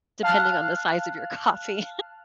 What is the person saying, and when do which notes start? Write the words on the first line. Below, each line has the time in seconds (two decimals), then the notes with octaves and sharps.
depending on the size of your coffee.
0.23 F5 A5 F6 F#6